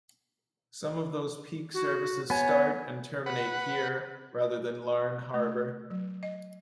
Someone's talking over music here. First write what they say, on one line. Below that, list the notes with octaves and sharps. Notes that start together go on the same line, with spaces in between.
Some of those peak services start and terminate here rather than Larne Harbour.
F#4
B3 C#5 G#5
B4 F#5
A3
F#3
D#5